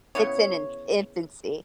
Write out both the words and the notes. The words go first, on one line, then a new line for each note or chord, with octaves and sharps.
it's in an infancy.
C#3 B3 E4 C#5